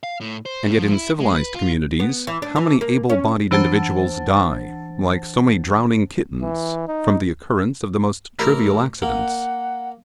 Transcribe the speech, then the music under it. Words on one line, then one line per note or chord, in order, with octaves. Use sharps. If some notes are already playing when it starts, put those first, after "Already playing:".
And yet in civilized communities how many able-bodied individuals die, like so many drowning kittens, from the occurrence of the most trivial accidents!
F5
A2
C5
A2
F3
E4
G#3
B4
F4
B3
E3
D4
E3
A#3
C#4
E3 D4 C5 F#5 A5 A6
E3
D#4
A1 E4 A#4
A#3 F#5